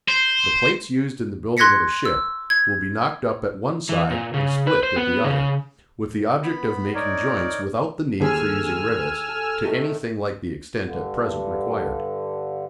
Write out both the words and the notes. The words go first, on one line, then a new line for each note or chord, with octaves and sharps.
The plates used in the building of a ship will be "knocked-up" at one side and split at the other, with the object of making joints without the need for using rivets to anything like the extent at present required.
C5
C6 F#6 G#6 A#6 B6 C#7
E6
G#6
E3
A#2
C#3
B4
C5
B3
C#3
B3 B5
D#4 A#4 C#5 D5
D#2 G#4 A4 G#5 E6 F6
A4
A2 D#3 A3
G2 D3